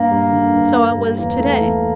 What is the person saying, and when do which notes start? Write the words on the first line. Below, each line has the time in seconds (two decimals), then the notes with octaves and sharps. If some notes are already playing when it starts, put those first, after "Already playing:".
So it was to-day.
Already playing: G2 A#3
0.11 G3
0.32 D3
0.53 G2
0.74 G2
0.97 G3
1.18 E2 A#3
1.40 A3
1.60 E3